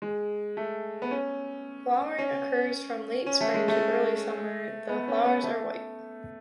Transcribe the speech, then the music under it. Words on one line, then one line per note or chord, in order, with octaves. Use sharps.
Flowering occurs from late spring to early summer the flowers are white.
G#3
A3
B3
C#4
C#4
C#4
A3
G#3
A3
B3
C#4
B3
A3